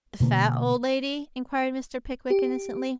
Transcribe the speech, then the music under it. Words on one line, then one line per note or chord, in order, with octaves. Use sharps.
'The fat old lady?' inquired Mr. Pickwick innocently.
B2 D3 A#3
G4